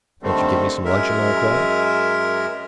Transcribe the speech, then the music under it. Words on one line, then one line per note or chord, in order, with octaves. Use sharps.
"Won't you give me some luncheon?" I inquired.
D3 D#3 G3 A3 C4
F#2 G#3 A#4 E5